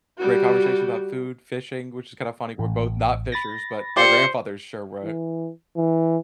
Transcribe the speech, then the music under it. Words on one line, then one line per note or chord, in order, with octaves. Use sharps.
Great conversation about food, fishing, which is kinda funny we're both not fishers but our grandfathers sure were.
G3 F#4
A1
B5 A6 A#6
F4 G4 C5 D5 C#7
E3
E3